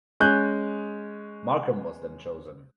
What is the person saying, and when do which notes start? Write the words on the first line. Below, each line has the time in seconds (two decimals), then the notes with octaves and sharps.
Markham was then chosen.
0.20 G#3 C#4 F#6 G6